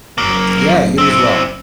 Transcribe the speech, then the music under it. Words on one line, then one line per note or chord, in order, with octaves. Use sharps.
Yeah, you as well.
F#1 F#3 A#3
C4 E4